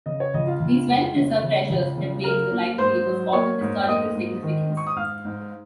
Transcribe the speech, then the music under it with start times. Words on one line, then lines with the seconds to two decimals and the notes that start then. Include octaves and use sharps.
These well-preserved treasures have made the library a spot of historical significance.
0.06 C#3 D#5
0.20 C#5
0.34 C#2 D#5
0.47 F4 F5
0.60 C#2
0.88 G#3
1.16 C#3
1.43 C#3
1.70 C#2
1.97 C#3
2.24 F#3 A#4 A#5
2.51 A#3
2.78 G#2 C5 C6
3.06 F#3
3.33 A#3 C#5 C#6
3.61 G#2
3.87 A#3 D#5 D#6
4.15 G#2
4.43 D#3
4.69 G#2
4.77 C#6
4.87 D#6
4.96 G#2 F5 F6
5.25 G#2